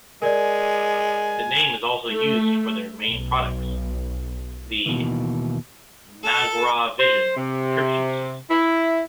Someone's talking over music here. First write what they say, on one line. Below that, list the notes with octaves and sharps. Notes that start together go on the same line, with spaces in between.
The name is also used for their main products, the Nagravision encryption systems.
G#3 A#4 D5 G#5
A3
B1
D#2 B2 D#3 E3
A4
C5
C3
E4